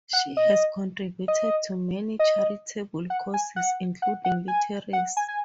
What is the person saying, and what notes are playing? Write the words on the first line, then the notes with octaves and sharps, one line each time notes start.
She has contributed to many charitable causes, including literacy.
F#5
D#5
D#5
D#5
F#5
G#5
F#5
F#5
F#5
G#5
F#5
G#5
G#5